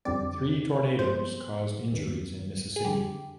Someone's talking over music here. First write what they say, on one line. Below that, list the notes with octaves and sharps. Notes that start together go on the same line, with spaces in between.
Three tornadoes caused injuries in Mississippi.
F2 D3 G3 C4 D5
G2 F3 G#3 B3 C5
D#2 D#3 B3
G#4
F2 D3 G3 G4